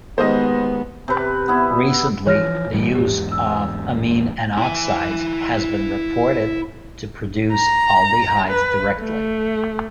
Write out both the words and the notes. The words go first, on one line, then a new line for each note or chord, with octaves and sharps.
Recently, the use of amine N-oxides has been reported to produce aldehydes directly.
D#2 G#2 B3 C5 D#5
C3 B4
B3 E4
E3 F3 C#5 F6 A#6
G2 E3 G3
E2 G#2 G4
E6
E4 G#5
A#5
B4
A3